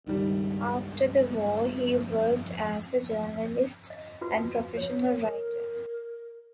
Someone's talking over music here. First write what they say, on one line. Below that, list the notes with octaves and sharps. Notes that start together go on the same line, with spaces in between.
After the war he worked as a journalist and professional writer.
C#2 G2 D#3 G3
D#5
F4 F#4 B4
C#5
A4 A#4